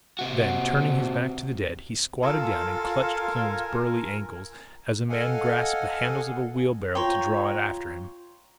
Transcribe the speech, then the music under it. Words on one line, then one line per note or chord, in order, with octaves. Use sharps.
Then, turning his back to the dead, he squatted down and clutched Kloon's burly ankles, as a man grasps the handles of a wheelbarrow to draw it after him.
C3 F#4
F4 A4 A#4 G#5
A4 D#5 F5 F#5 G#5
F4 C#5 G5 A#5 C6